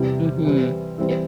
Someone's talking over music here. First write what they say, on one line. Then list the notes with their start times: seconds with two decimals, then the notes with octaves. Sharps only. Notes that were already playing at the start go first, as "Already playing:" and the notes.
Mhm, yeah
Already playing: E2 C3 G3
0.45 E3 G3 C4
0.98 E3 G3 C4 E4